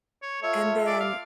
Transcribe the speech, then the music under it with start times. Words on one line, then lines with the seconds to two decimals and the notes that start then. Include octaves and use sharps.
and then
0.23 C#5
0.43 A3 F4 C#5 E5
0.87 D5
1.00 F5